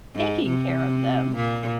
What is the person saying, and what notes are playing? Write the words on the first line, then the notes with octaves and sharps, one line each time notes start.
taking care of them.
G#2
C3
A#2